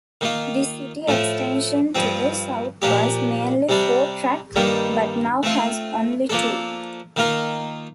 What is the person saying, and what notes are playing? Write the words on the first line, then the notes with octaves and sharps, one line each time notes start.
The City Extension to the south was mainly four-track but now has only two.
D#3 A#3 F4
A2 F3 A3
G2 F3 C4
A#2 F3 A#3 D4 G4
C3 G3 D4
G2 D#3 G3 A#3
A3 C4 F4
F3 A#3 D4 A4
D#3 A#3 F4 A#4